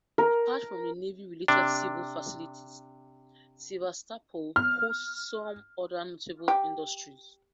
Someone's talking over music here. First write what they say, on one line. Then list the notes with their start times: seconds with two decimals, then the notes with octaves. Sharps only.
Apart from navy-related civil facilities, Sevastopol hosts some other notable industries.
0.18 A#4
1.48 C3 D4
4.56 F6
6.48 G4